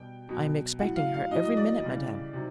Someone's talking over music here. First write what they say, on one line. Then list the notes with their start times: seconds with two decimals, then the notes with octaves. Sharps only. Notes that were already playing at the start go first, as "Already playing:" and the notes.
I am expecting her every minute, madame.
Already playing: B2 G3 G5
0.29 B2 F#3
0.79 A2 F#3 F#5
0.96 F5
1.14 F5
1.31 A2 F#3 D#5
1.45 D#5
1.57 D5
1.82 C#3 E3 G3
2.33 C3 D#3 F#3